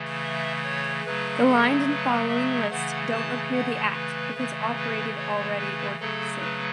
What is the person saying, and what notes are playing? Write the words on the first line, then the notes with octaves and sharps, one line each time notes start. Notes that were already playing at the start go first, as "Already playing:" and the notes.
The lines in following list don't appear the act, because operated already or soon.
Already playing: C#3 E3 A3
E5
C#5
C#3 F#3 A3 B4
A4
B4
E5
C#3 E3 A3 F#5
A5
F#5
B4
C#3 E3 A3
B4
C#5
B4
C#3 F#3 A3 A4
B4